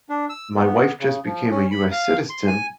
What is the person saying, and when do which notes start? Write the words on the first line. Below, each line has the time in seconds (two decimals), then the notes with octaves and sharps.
My wife just became a US citizen,
0.09 D4
0.29 E6
0.55 B3
1.00 C#3
1.25 F3
1.50 C#4
1.71 B5
1.92 F5
2.30 C6
2.47 G#5